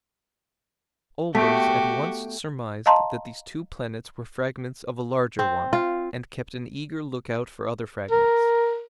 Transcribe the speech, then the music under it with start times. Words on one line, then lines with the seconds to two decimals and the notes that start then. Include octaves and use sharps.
Olbers at once surmised that these two planets were fragments of a larger one, and kept an eager look out for other fragments.
1.35 A3 B3 F#4 G4 E5 G5
2.86 D#5 F5 A5 A#5 C6
5.39 C4
5.73 F4
8.11 A#4